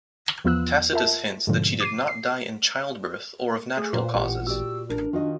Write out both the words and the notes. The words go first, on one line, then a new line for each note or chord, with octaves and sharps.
Tacitus hints that she did not die in childbirth or of natural causes.
E2 F3 B3 F4 E6 F#6
F4 A#4 E5 A5
G#2 B2 D3 F3
D6 C7 D#7
C7
A3 G#4
A#2 F4 B4 C5
A1 G4 F#5
F#4 G4 D5 E6
A1 D4 A#4
D#3 F4 F#4 D#5